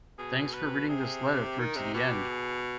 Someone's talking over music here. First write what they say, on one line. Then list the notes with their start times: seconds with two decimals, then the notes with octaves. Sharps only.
Thanks for reading this letter through to the end.
0.18 B2 G#4
0.53 B4
0.89 C3 G#4
1.23 G4
1.59 D#3 D#4
1.77 C3
1.94 B2 G4
2.29 G#4